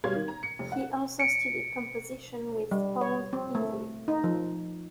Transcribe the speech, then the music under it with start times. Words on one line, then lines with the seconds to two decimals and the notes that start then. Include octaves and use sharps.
He also studied composition with Paul Hindemith.
0.04 B2 G3 C#5 F5 C6 G#6
0.15 D#3
0.28 A#5
0.43 C#7
0.59 F1
0.72 F#5
1.20 C#7 D7
2.71 G3
3.01 C#5
3.33 C4
3.55 A3
4.08 D#4
4.24 F3